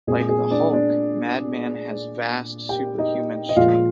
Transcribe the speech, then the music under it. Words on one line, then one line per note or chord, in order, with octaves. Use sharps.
Like the Hulk, Madman has vast superhuman strength.
A#2 G#3 C4 G#4
G#4
D4 D5
D4 D5
G4 G5
D#4 D#5
D#5
A#2 F3 G#3 F4 F5